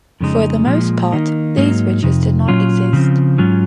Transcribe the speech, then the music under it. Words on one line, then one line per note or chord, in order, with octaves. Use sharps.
For the most part, these riches did not exist.
F2 C#3 G#3 D#4
A#2 F3 G#3
D#3 A#3 D#4
G#2 F#3 A#3 D#4
F2 C3 D#4
A#2 F#3 C#4 F4
C#3 F3 C4
G#2 F#3 C#4 F4